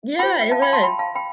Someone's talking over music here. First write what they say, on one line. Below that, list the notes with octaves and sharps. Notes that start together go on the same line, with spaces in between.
Yeah, it was.
F4 C5 G5 B5
E5 G5
F5 A5
G5 B5
A5 C6
G5 B5
F5 A5
G5 B5